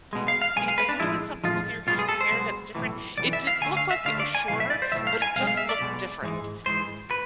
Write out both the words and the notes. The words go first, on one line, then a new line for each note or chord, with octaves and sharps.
e e Are you doing something with your ha hair that's different?" It didn't look like it was shorter, but it just looked different,
B1 B2 G#3
F5
F5
B1 B2 G#3 G#5
F5
B4
D4
A2 F3 G#3 E4
A2 F3 G#3 F4
B1 B2 G#3 F4
G#4
A4
C5
B1 B2 G#3
B1 A2 E3
B1 A2 E3 D5
E5
F5
D2 D3 A3 G#5
F5
E5
D2 D3 A3 F5
D5
G#5
B1 A2 F3 F5
E5
D5
C5
B1 A2 F3 E5
F5
G#5
B1 B2 G#3 F5
F5
E5
D5
B1 B2 G#3
G#2 E3 G#3
G#2 E3 G#3 C5
B4